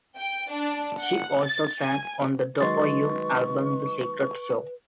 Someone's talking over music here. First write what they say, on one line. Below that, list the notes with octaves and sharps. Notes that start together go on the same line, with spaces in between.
She also sang on the Dopo Yume album "The Secret Show".
G5
D4
F#5
A6
G#5
D#3 F#3 G#3 B4 D#5 C6 C#6 A6